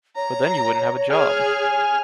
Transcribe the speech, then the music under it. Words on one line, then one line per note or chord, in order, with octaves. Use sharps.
But then you wouldn’t have a job.
C#5 A#5
G#4 G#5 F6